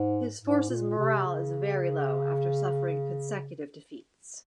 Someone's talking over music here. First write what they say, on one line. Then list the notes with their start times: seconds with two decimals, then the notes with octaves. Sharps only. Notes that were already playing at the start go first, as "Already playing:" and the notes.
His forces' morale is very low after suffering consecutive defeats.
Already playing: G#2
0.42 G#2
0.69 A#2
0.98 C3
1.26 C#3